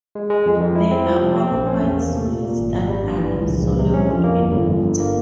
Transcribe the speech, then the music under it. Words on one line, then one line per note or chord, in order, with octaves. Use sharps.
They are all white solids that are insoluble in water.
G#3
G#3
F2
F2
E4
C4
F3
C3
C4
A#1
C#4
E2
A#3
C3
A#2
A#2
G#1
G#1
G3
G2
E3
C#2
A#1
A#1
C3
C#4
F2
A#3
G1
G1
G1
G1
A#3